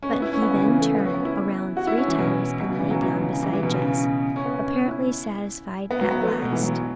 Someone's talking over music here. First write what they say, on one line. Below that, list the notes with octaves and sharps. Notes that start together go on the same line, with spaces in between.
But he then turned around three times and lay down beside Jess, apparently satisfied at last.
C#4
B3
E4
C#4
B3
C#3
E3
A3
B3
C#4
B3
E4
F#4
E4
C#4
E3
B2
B2
C#3
E3
F#3
E3
C#3
E3
E3
B2
C#3
C#4
B3
C#4
E4
B3
F#3
B3
A3
A3
B2
E3
F#3